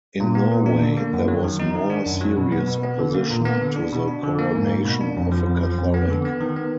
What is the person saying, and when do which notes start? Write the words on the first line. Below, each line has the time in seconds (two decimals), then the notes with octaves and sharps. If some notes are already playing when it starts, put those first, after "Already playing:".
In Norway, there was more serious opposition to the coronation of a Catholic.
0.20 A#2
0.35 B3
0.51 A#2
0.66 D4
0.82 D3
0.97 A#3
1.13 F#2
1.28 F#3
1.44 D#3
1.60 D#4
1.75 D#3
1.90 D4
2.06 F#2
2.21 F#3
2.37 B2
2.52 B3
2.67 B2
2.83 B3
2.99 D3
3.14 A#3
3.30 A#2
3.45 B3
3.61 D3
3.76 D4
3.92 B2
4.08 D4
4.23 D3
4.38 A#3
4.55 G#2
4.70 A#3
4.85 B2
5.01 D4
5.16 F2
5.32 F3
5.47 F2
5.63 F3
5.78 F2
5.94 B3
6.10 D3
6.25 B3
6.41 D#3
6.56 B3